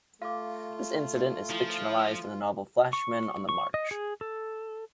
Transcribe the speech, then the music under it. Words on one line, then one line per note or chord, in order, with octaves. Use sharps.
This incident is fictionalized in the novel "Flashman on the March".
A3 F4 F5 D6
F3 E4 G#5
C#6
C#6
D#5
G#4
A4